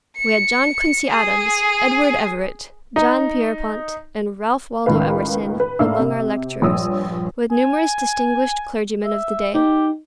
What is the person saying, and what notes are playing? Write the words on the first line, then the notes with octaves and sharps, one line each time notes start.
We had John Quincy Adams, Edward Everett, John Pierpont, and Ralph Waldo Emerson among our lecturers, with numerous distinguished clergymen of the day.
C#7
G#4
D#4
C#2 A2 D#3 A#4 B4 F5
B4
A2 A#3 D4 E5 F5 E6
C3
A#1 G2 C#5 D#6 E6
G#5
E5
D#4 G4